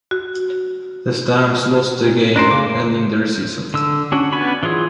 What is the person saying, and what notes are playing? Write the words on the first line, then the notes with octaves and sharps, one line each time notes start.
The Stamps lost the game, ending their season.
F#4
A#2
F#2 D4 A#4 C5
C#3 D6
D3 E6
C#4 D4 F#4
B3 C#4 D4 G#5 B5
E3 F#3 F4 G#4